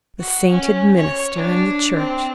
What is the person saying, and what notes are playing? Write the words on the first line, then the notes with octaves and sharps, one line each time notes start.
The sainted minister in the church!
F#4
C#4
C#5
D4
C4